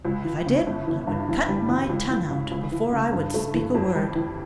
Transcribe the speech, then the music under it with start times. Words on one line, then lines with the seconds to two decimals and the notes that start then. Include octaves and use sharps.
If I did, I would cut my tongue out before I would speak a word.
0.05 C#2
0.25 E3
0.46 C#3
0.66 G1
0.87 E3
1.07 G2
1.28 E2
1.49 G3
1.69 E3
1.90 C#2
2.10 E3
2.30 C#3
2.51 C#2
2.72 E3
2.92 C#3
3.12 G2
3.34 A3
3.54 E3
3.75 F2
3.96 G3
4.15 E3